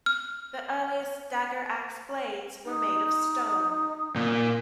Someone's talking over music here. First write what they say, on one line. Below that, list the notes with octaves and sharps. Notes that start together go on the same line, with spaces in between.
The earliest dagger-axe blades were made of stone.
F6
D#4
A#2